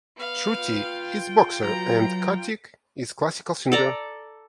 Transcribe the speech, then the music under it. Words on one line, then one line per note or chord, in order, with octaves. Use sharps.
Shruti is boxer and Kartik is classical singer.
B3 F5
F4 G5
F#3 B3 A#5
A4 D5 A#5